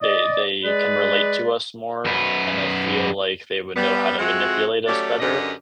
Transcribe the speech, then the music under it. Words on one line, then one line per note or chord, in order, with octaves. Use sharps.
they they can relate to us more and I feel like they would know how to manipulate us better,
D5 D#5
G#3 G#4 B4 D5
F#2 B3
G3 B3
F2 G#3 C4 F#4 E5 F#5
F#3 A3 C#4 G4 D5
F#2 D3 G4 B4 D5 D#5